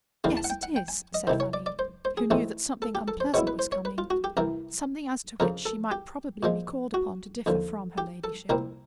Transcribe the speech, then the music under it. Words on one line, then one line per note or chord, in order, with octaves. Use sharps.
"Yes, it is," said Fanny, who knew that something unpleasant was coming--something as to which she might probably be called upon to differ from her ladyship.
D#2 C#3 E3 G3 F5
A5
F#5
G5
F#5
G5
G#5
D#5
C2 C3 D#3 C5
C#5
D5
D5
C5
C5
G#4
A1 G#2 E3 A3 C4
A4
G4
A4
C5
B2 G#3 B3 E4 C#5
B4
C5
C#5
B4
F4
F#4
G4
C2 C3 E3 A#4
F2 C#3 F3 A#4
A4
G4
A#2 F3 G#3
F#4
D#2 D3 F3
G4
A4
C2 A#2 G3 C4 A#4